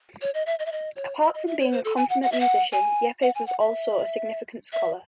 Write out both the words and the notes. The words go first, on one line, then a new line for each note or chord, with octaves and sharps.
Apart from being a consummate musician, Yepes was also a significant scholar.
C#5
D#5
E5
D#5
E5
D#5
C#5
D#5
D#5
E5
C#5
C5
A4
G#5
F#5
F#5
E5
F#5
G#5
F#5
G#5
F#5
E5
E5